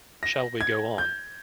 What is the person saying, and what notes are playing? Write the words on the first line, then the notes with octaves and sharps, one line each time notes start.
Shall we go on?
A#6
G#6
G6